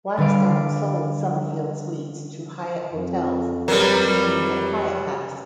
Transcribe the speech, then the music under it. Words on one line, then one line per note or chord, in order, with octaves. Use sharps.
Blackstone sold Summerfield Suites to Hyatt Hotels, which renamed it Hyatt House.
D3 G3 B4 F5 D6
F2
F#3 G3 A#4 B4